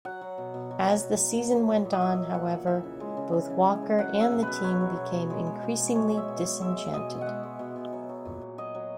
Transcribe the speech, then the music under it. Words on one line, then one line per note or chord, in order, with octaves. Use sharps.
As the season went on, however, both Walker and the team became increasingly disenchanted.
F#3 F#5
F#3
B2
B2
F#3
F#3
B2
B2
F#3
F#3
A#2
A#2
D#5
F#3 E5
F#3
A#2 F#5
A#2
E3 E5
C#3
G#3
C#3
E3
C#3
G#3
C#3
F#3 F#5
F#3 E5
B2
B2 B4
F#3 C#5
F#3
B2
B2
G#3
G#3
B2
B2
G#3 C#5
G#3
E5
B2
B2
G#3 E5
G#3
B2 D#5
B2
F#5
G#3 E5
G#3
B2
B2
F#3
F#3
A#2
A#2
F#3 D#5
F#3